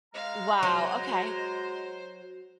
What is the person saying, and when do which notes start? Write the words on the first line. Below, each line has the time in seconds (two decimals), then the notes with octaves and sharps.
Wow, okay.
0.14 G#3 F5 A#5
0.63 F#3 C5